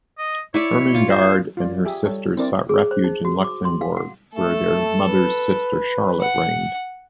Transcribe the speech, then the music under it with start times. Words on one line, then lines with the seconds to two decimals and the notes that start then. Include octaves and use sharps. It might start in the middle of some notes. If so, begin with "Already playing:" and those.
Irmingard and her sisters sought refuge in Luxembourg, where their mother's sister Charlotte reigned.
0.18 D#5
0.54 E4 C#5 D5 E5
0.95 F4
1.09 C5
1.57 F4 D5
1.85 G4 G#4 E5 G#5
2.04 G3 A4 C#5
2.37 C4 D4 E4 A#4 D5
2.69 G#4
2.91 C5
3.04 D#4
3.25 F#4
3.44 D6
3.65 C6
3.81 F5
3.97 F#5
4.36 A3 A4
5.09 B4
6.21 F#5